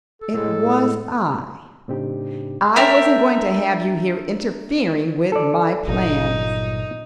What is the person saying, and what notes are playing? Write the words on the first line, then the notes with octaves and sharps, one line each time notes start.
"It was I. I wasn't going to have you here interfering with my plans."
A4
A2 G#3 A4
A2 C#3 C4 D4 D#4 G4
D4 G4 A#4 E5
A4 D5
G1 A#2 F#3 D#4